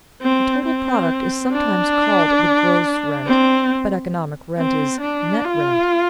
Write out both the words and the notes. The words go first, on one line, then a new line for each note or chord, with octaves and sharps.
The total product is sometimes called the "gross rent," but economic rent is "net rent."
C4
C4
D4
C4
C4
D4
F4